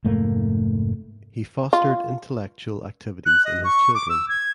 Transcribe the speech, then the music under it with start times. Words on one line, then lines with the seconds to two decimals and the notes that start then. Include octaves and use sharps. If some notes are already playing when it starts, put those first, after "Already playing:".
He fostered intellectual activities in his children.
0.05 F1 G#2 A3 A#3
1.73 F4
3.25 F#6
3.45 D#5
3.64 C#6
3.94 D6
4.09 E6
4.28 G#6